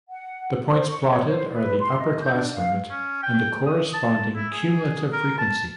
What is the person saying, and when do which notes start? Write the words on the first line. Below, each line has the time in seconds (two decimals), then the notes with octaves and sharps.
The points plotted are the upper class limit and the corresponding cumulative frequency.
0.09 F#5
0.71 C5
0.89 C#6
1.08 C#5
1.26 C5
1.52 B4
1.80 C6
1.99 D#5
2.20 G6
2.32 D4
2.55 F5
2.90 C#4
3.23 G5
3.67 D#6
3.94 A5
4.36 E4
4.52 G#4
5.13 A#4
5.39 A5